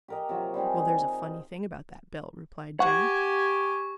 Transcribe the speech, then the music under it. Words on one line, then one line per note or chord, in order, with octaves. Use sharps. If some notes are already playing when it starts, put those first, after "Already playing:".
"Well, there's a funny thing about that bill," replied Jenny.
G4 A#4 D#5
C3 F3 F#3
G3 C4 D#4 G#4
G#4
G4 F#5 G#5 C#6